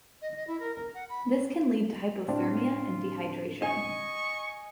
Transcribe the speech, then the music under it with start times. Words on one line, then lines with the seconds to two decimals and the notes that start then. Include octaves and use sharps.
This can lead to hypothermia and dehydration.
0.22 D#5
0.36 D#5
0.47 E4
0.60 A#4
0.75 A#4
0.94 F#5
1.09 B5
2.28 A2 C4 D4 F4
3.62 D#5 G#5 C#6